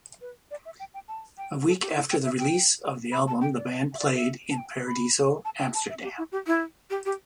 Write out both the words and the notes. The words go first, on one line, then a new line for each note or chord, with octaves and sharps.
A week after the release of the album the band played in Paradiso Amsterdam.
B4
D5
E5
G5
G5
A5
G5
A4
G4
E4
G5
E5
G5
B5
A5
G5
D5
E5
D5
E5
A5
G5
B5
A5
G5
A5
E5
G4
E4
G4
E4
G4
G4